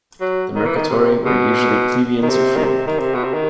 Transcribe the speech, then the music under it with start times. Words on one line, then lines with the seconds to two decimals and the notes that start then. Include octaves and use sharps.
The mercatores were usually plebeians or freedmen.
0.21 F#3
0.55 D#3
0.65 E3
0.76 D#3
0.90 C3
1.25 B2
2.22 D#3
2.29 C3
2.57 D#3
2.64 C3
2.87 D#3
2.99 C3
3.14 B2
3.24 C3
3.34 D#3